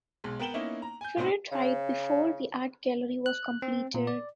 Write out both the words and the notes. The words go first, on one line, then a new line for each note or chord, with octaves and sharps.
Freer died before the art gallery was completed.
B1 G#3
B3 A#4 G5 E7 F#7 G7
A#3 B3 C#4 D#4 E4
A#5
G#5 G6
C2 A2 B3 C4 D#4 C6
C#3
F#6
C4
A#2
D5